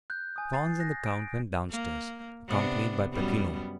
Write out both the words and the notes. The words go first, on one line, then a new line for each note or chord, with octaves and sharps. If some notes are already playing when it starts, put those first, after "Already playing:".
Franz and the count went downstairs, accompanied by Peppino.
F#6 G6
G#5 D#6
A6 C7
F#6 A#6
D7
A#3
C3 B3 D4
F#2 G3 B3